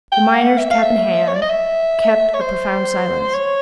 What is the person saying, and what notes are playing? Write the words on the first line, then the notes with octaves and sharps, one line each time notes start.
The miners, cap in hand, kept a profound silence.
G5
F#5
E5
F5
E5
C#5
D5
D#5
E5
C#5
C5
C#5